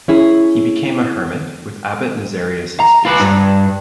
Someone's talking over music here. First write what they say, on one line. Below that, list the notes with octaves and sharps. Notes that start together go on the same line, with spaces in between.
He became a hermit with Abbot Nazarius' blessing.
C#4 E4 G#4
A#5
F4 B4
G2